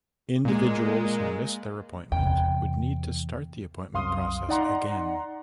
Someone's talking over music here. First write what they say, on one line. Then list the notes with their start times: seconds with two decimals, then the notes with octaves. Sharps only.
Individuals who missed their appointment would need to start the appointment process again.
0.45 A#2 G#3
2.12 E2 C3 G5
3.93 C2 F#2 F5 C6 D#6
4.49 D#4 D5 F#5 A#5 C6